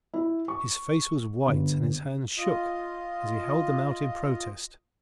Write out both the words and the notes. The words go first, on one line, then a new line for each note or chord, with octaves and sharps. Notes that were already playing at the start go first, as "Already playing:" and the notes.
His face was white and his hands shook as he held them out in protest.
E4
C#6
G1
F4 D#5